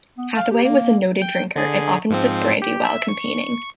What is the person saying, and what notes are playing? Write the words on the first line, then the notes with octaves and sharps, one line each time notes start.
Hathaway was a noted drinker, and often sipped brandy while campaigning.
B3
F5
G4
A#3
G5
D3 G#4
G#2 F3 C4
G4
E5
C#6